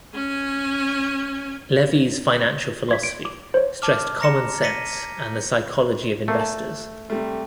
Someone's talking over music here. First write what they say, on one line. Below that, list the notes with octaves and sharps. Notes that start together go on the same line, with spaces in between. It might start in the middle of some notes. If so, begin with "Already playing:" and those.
Levy's financial philosophy stressed common sense and the psychology of investors.
C#4 G#5
C6 G#6 B6
D7
D6
C5 C#5
A5 D6 F6
A#5 A#6 C#7 E7
A#6 B6 C#7 D#7
A3 A#3
A5
C3 G3 A3